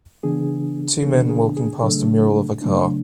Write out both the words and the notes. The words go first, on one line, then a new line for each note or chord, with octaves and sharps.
Two men walking past a mural of a car.
C#3 E3 B3 D4 G#4
C#3 E3 B3 D4 A4
G#4
G#4
C#3 F#3 A3 D4 A4
C#3 F#3 A3 D4